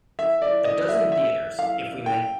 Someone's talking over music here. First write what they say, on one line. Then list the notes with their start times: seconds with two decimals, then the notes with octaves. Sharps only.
A dozen theatres, if we may.
0.19 E5
0.42 D5
0.65 D#5
0.89 E5
1.12 E5
1.59 F5
2.06 G5